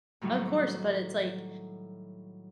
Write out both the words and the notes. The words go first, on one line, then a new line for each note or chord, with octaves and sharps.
Of course, but it's like,
A2 D#3 F#3 G3